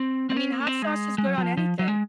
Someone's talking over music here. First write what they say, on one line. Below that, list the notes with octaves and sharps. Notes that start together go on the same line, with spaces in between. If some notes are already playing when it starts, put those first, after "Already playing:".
I mean, hot sauce is good on anything.
Already playing: C4
C4
C#4
C4
A#3
C4
G#3
G#3
F#3
F#3
F3
F3
F#3
G#3